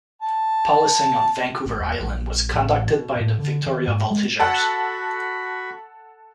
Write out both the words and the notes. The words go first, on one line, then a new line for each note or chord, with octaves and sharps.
Policing on Vancouver Island was conducted by the Victoria Voltigeurs.
A5
G#1
D#1
A#1
A1
B2
A2
D3
D#3
G#2
G#3
F#4 A4 F#5 B5